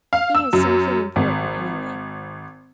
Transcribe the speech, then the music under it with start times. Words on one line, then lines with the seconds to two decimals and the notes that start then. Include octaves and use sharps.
He has something important, anyway.
0.13 F5
0.35 E6
0.53 F#2
1.16 G#1